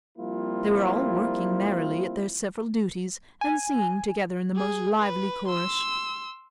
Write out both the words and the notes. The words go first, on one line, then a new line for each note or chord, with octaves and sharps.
They were all working merrily at their several duties, and singing together in the most lively chorus.
F3 G3 A#3 C4 E4 F4
G#5
G#4
B4
C6 E6